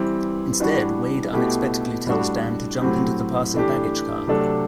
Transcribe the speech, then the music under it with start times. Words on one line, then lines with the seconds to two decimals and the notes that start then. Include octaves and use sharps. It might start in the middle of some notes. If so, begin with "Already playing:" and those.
Instead, Wade unexpectedly tells Dan to jump into the passing baggage car.
Already playing: E3 G3 C4 E4
0.60 E3 G3 D4 F#4
1.33 B2 A3 E4 G4
2.06 A2 G3 D4 F#4 A4
2.80 A2 F#3 C4 G4
3.54 E3 A3 D4 G4
4.27 C3 F#3 A3 D4 A4